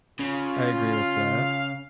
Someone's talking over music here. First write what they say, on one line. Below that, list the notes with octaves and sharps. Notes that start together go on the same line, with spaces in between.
I agree with that.
C#3 F4
F5